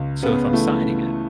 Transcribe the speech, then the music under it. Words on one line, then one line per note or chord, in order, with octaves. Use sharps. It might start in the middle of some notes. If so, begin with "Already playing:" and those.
So, if I'm signing it,
Already playing: C#2
C#3 B3
E3 A3